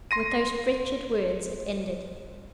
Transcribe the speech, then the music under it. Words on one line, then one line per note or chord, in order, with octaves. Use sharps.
With those wretched words it ended.
C6 A#6 D#7